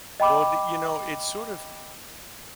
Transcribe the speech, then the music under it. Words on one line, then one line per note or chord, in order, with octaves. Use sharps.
Well, d it's sort of
D#5 G5 B5 D6